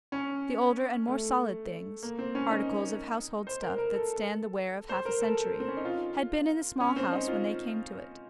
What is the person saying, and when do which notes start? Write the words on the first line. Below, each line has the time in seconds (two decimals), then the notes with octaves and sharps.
The older and more solid things,--articles of household stuff that stand the wear of half a century,--had been in the Small House when they came to it.
0.12 C#4
1.07 A3
2.03 A#3
2.19 C4
2.35 C#4
2.51 D#4
3.47 C5
3.62 A#4
3.78 A#4
3.94 A4
4.89 C5
5.05 A#4
5.21 A4
5.60 C4
5.68 C#4
5.77 D#4
5.85 F4
6.80 C#4
6.96 C4
7.12 D#4
7.28 F4